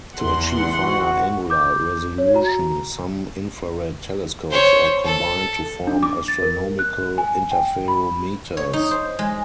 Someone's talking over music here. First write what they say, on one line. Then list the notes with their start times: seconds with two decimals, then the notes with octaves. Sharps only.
To achieve higher angular resolution, some infrared telescopes are combined to form astronomical interferometers.
0.17 E2 F#5 C6
0.81 F#4
1.50 D6 G6
2.18 C#5
2.34 F#4 A#5
4.51 C5 C#5
5.04 A4
5.87 D4
6.03 D6
6.28 A6
6.42 A#4
6.79 F#6
7.18 G#5
7.52 G5
7.88 B5
8.57 C#5
8.73 D#4
8.91 C5
9.19 G#3